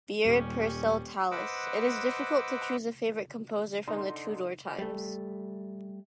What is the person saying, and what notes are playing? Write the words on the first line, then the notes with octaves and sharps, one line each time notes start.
Byrd, Purcell, Tallis, it is difficult to choose a favourite composer from Tudor times.
D#1 G3 C#4
B4 C5 D#5 F#5 D6 E6
D3 D#4 C6
G3 A3